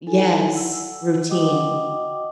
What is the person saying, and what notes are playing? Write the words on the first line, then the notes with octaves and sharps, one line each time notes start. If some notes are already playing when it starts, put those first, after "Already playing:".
Yes. Routine.
D#4 E4 A4 G#5
F#5 E6
F#4 D#5 F#5 G5 D6 D#6